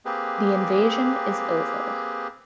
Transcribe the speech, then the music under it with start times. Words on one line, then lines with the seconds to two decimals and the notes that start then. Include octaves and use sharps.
The invasion is over.
0.05 A#3 C4 G4 G#4 B4